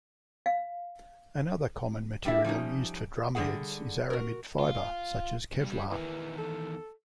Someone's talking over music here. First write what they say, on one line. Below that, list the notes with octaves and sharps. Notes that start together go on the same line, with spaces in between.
Another common material used for drumheads is aramid fiber, such as kevlar.
F5
G3 D4 E4 E5
F3 G3 C#4 D#4
D3 G3 F#4 G#4 F#5
F#4 A#4
F4
G2 G3
E2 D#3 E3
A4